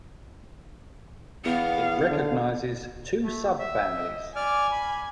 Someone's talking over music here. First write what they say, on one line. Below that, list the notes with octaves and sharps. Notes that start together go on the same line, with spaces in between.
It recognizes two subfamilies.
E2 B3 F5
D3
A3
E5
D#5
D5 G#5 D6 F6
B5